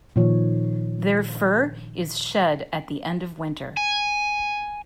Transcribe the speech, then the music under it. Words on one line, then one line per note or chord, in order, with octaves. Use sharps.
Their fur is shed at the end of winter.
A#2 D#3 F3 C#5
G#5